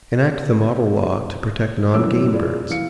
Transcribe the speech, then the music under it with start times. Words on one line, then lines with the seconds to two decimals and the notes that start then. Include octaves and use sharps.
Enact the model law to protect non-game birds.
1.94 F#2 A2 E3 G3 D6 E6
2.33 E4 F4 G#4 D5
2.70 E3 F5 C#7